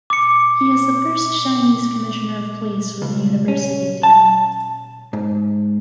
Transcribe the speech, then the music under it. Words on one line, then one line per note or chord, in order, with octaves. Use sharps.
He is the first Chinese Commissioner of Police with a university degree.
D6 C#7
C#2
C#4
A5
G#2